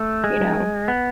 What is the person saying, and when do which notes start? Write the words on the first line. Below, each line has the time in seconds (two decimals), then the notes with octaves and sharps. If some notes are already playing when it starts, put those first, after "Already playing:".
you know?
Already playing: A3
0.24 G#3
0.88 B3